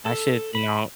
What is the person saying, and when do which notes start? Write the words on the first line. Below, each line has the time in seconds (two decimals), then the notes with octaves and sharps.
I should," you know,
0.06 A4
0.55 B5